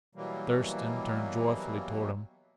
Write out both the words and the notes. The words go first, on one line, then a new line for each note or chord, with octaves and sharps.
Thurston turned joyfully toward him.
B2 E3 F#3 G3 A#3